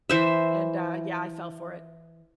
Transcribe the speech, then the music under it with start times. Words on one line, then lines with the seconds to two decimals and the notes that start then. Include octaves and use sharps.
and, uh, yeah, I fell for it,
0.09 E3 C5 E5